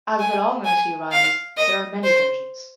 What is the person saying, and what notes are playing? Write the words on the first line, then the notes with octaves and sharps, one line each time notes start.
As with all nursery rhymes, there are many versions.
G#5
G#5
F5
D#5
C5